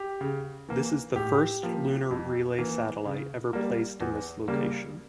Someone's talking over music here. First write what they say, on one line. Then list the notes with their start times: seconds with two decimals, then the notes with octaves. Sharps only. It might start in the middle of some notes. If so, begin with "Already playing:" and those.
This is the first lunar relay satellite ever placed in this location.
Already playing: G4
0.21 C#3
0.68 E3 A#3
1.16 A2 G4
1.63 F3 A#3
2.11 F2
2.58 E3 A#3
3.06 C#3
3.53 G3 A#3
4.00 E2
4.48 C#3 G3 A#3